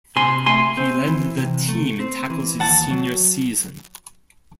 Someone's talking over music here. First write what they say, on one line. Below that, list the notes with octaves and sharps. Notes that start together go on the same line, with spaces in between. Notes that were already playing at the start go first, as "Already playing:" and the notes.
He led the team in tackles his senior season.
C3 G#5 C6
A3 G#5 C6
C4
E3
C3
A3
C4
E3
D#2 F#5 A5
F#3